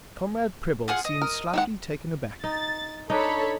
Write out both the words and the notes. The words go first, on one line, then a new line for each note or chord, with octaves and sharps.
Comrade Prebble seemed slightly taken aback.
F4 G#4 F#5
D#5
A#4
D#3 G#3 F#5
D#4 A6
D4 D#4 A4 C#5 B5